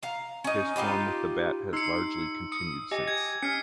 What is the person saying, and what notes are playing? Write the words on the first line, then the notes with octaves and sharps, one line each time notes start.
His form with the bat has largely continued since.
F5 A#5
C#4 D#4
D#4 F4 G4 B4
D#4 C6 E6 C7 C#7
D#6 C#7
G4 D#5 G#5
G#6
C#4 G#5 F6 C7 C#7